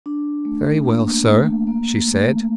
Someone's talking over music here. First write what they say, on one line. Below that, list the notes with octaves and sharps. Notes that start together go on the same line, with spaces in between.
"Very well, sir!" she said.
D4
A3
A#3
A3
A#3
A3